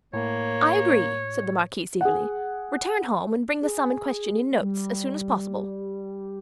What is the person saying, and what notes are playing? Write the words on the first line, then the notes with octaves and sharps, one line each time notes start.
"I agree," said the marquise, eagerly; "return home and bring the sum in question in notes, as soon as possible."
A2 A#3 C#5
G#4 F#5
G#4
G3